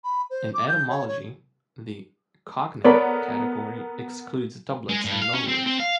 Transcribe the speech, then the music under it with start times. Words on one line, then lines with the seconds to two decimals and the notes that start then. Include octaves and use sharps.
In etymology, the "cognate" category excludes doublets and loanwords.
0.04 B5
0.30 C5
0.54 D6
0.68 G6
0.89 C#5
1.08 C#5
2.84 B3 A4 A#4 C#5 D5 B5
4.89 G#3
5.05 G2
5.22 F5
5.34 C#4
5.48 C4
5.66 C4
5.79 F5